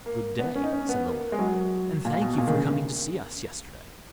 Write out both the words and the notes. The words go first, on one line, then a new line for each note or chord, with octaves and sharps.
'Good day!' said the lad, 'and thank you for coming to see us yesterday.'
A#3
B3
C#4
D#4
C#4
B3
A#3
G#3
F#3
A#2
B2
B2
A#2
D#3
C#3
C#3